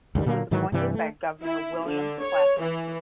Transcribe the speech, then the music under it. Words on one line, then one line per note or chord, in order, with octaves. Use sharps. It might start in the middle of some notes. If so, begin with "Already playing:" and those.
He was appointed by Governor William Claflin.
C#2 F#2 D#3 G3
A#2 D3 F#3 A#3
G#2 D#3 E3 F#3
G2 C3 E3 G3
A3
E4
D3
C#5
E3